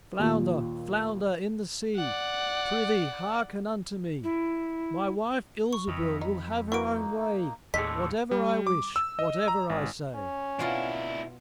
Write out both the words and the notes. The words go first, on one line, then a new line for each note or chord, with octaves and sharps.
"Flounder, flounder in the sea, Prythee, hearken unto me: My wife, Ilsebil, will have her own way Whatever I wish, whatever I say."
D#2 A#2
D5 F#5
E4
C#6
F2 D#5 E5 B5
D#4 B5
A#3 D#4 E4 F#4 B4 C#6 D7
D#2 A2 D4 G#4 A4 C5 D#5 B6
G3
D6
E6
D#5
A#5
G#1
C#4
B2 D4 E4 F4 D#5